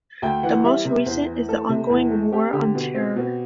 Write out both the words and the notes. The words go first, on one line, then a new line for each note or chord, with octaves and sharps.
The most recent is the ongoing War on Terror.
D2 G5
E3 F#5
G3 E5
C3
E2 C5
E3
A3 A4
C3
E2
A3
C4 G4
D3 G4
B2
C4
B2